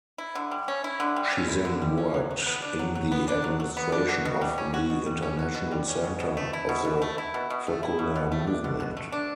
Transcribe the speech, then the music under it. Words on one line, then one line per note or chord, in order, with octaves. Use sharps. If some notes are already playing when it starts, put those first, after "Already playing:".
She then worked in the administration of the international center of the Focolare Movement.
E4
D3
G3
C#4
E4
D3
G3
C#4
E4
D3
G3
C#4
F#3
F#3
B3
D4
F#3
F#3
B3
D4
F#3
F#3
B3
D4
F#4
B2
G3
C#4
F#4
B2
G3
C#4
F#4
B2
G3
C#4
B2
B2
A3
E4
B2
B2
A3
E4
B2
B2
A3
E4
B2
B2
A3
D4
B2
B2
A3
D4